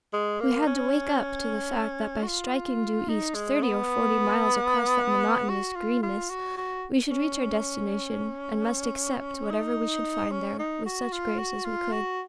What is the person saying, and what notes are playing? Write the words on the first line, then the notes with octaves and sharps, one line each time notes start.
We had to wake up to the fact that by striking due east thirty or forty miles across that monotonous Greenness, we should reach our destination, and must accept whatever we should find there, with such grace as we could.
G#3
A#3
C#4
F#4
F4
D#4
G#3
B3
F#4
F4
F4
F#4
F#4
C#4
D#4
C#4
D#4
F#4
F4
F#4
F4
F#4